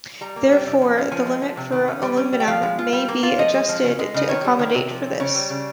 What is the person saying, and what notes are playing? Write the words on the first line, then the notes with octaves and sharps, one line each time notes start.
Therefore, the limit for aluminium may be adjusted to accommodate for this.
G3 A#5
A#3
G3
C3
F3
C#4
F3 G#5
G#3
F3
C3
D#3
C#4
G3
C#4
G3
G5
F3 F5
G#3
F4
G3
A#3
F4
F3 D#5
G#3
F3
C#3
G#3
C#3 D#5
D#3 C#5
G3
D#3
C3
F3
C4
C#3 C#5
G3
C#3